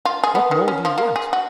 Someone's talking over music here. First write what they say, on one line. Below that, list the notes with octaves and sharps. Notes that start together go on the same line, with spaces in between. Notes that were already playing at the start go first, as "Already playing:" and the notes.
What more do you want?'
F4
G#4
B3
D#3
C#4
F3
A#3
G#4
F#4